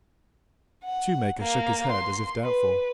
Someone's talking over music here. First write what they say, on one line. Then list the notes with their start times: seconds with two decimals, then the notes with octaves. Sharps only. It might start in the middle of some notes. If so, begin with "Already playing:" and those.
The shoemaker shook his head as if doubtful.
0.84 F#5
1.39 A#3
1.91 C6
2.43 B4